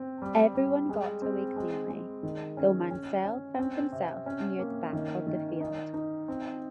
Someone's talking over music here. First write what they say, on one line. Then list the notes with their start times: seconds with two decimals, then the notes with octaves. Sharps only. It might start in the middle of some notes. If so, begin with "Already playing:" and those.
Everyone got away cleanly, though Mansell found himself near the back of the field.
Already playing: C4
0.22 G3
0.54 G3
0.89 G#3
1.22 C4
1.56 G#3
1.90 G#3
2.23 D#3
2.57 C#4
2.91 C#4
3.24 C#4
3.59 C4
3.92 C3
4.26 C#4
4.59 A#3
4.93 D#3
5.27 D#3
5.61 D#4
5.94 D#4
6.28 C4